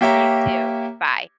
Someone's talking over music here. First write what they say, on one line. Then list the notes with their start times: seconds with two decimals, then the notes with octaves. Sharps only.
You too. Bye.
0.01 A#3 G4 C#5 E5 G5 A#5